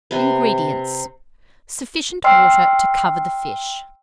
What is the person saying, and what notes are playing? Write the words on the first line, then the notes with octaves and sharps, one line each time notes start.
INGREDIENTS.--Sufficient water to cover the fish.
C3 B4
D#5 G5 C6 E6 F6 C7